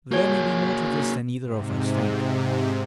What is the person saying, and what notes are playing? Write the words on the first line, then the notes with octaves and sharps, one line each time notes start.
There may be more to this than either of us think.
A#3 F#4 G#4 C#5
G#2 C3